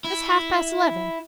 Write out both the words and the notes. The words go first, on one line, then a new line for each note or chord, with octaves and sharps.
It's half-past eleven.
E4